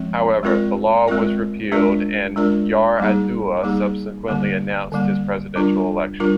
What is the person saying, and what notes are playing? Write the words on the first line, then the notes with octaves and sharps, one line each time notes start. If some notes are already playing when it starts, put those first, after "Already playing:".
However, the law was repealed and Yar'Adua subsequently announced his presidential election.
Already playing: F3 G#3 C4
G#3 C4 F4 A#4 D5
G#3 C4 F4 A#4 D5
G#3 D4 F4 A#4 D5
G#3 D4 F4 A#4 D5
G3 A#3 D#4 G#4
G3 A#3 D#4 G#4
D3 G3 A#3
D3 G3 A#3
G3 D4 F4 A#4
G3 D4 F4 A#4